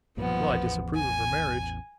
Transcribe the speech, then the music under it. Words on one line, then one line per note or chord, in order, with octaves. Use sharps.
Well, I disapprove of her marriage.
B1 G2 A#2 F3 B3
A1 E2
G#5